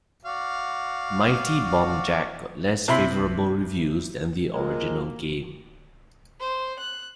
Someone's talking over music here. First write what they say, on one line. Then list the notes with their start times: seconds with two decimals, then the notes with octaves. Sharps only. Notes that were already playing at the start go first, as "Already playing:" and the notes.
"Mighty Bomb Jack" got less favorable reviews than the original game.
0.25 F#4 D5 F5
2.88 C3 E4 E5 B5 C6
4.53 F3 G#3 A#3 A#4
6.40 C5
6.79 F#6